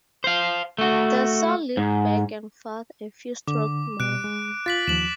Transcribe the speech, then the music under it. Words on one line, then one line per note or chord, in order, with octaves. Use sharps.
The saw leaped back and forth a few strokes more.
C5 F5
A3 F#4
G#2
D3 D6
B2 F#6 D7
G#3
F4 A6 B6 F#7
D#2 F3 E7 F#7